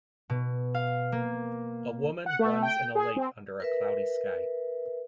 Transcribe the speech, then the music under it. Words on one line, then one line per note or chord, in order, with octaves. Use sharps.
A woman runs in a lake under a cloudy sky.
B2
F5
A#3
F#5
A3
G5
G#4
C4
A#4 B4 E5